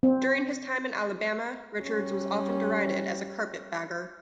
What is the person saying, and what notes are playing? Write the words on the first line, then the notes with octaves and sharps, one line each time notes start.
During his time in Alabama, Richards was often derided as a "carpetbagger".
C4
G3 C#4